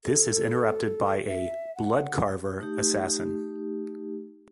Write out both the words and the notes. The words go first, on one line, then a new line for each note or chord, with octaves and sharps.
This is interrupted by a "Blood Carver" assassin.
A4
E5
F#5
A3 D#4 G4